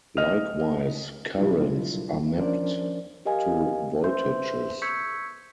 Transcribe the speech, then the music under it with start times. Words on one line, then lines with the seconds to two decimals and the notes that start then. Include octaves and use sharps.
Likewise, currents are mapped to voltages.
0.17 D#5 F6 F7
1.37 B2 F#3 G3 D4 E4 F4
2.38 F3 C#4 D4 A#4 C5 D5
3.25 G4 A#4 D#5 F5 G#5
4.04 B4 C5 E5 C6 G6
4.82 C#6 E6 G6 G#6 B6 C#7